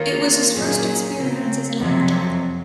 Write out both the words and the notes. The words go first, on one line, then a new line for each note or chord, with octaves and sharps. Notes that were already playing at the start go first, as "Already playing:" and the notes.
It was his first experience as an actor.
Already playing: D#3 A#3 F4 A#4 C#5
A#2 F#3 A#3 C#4 G#4
C#3 F#3 C4
F2 C3 F#3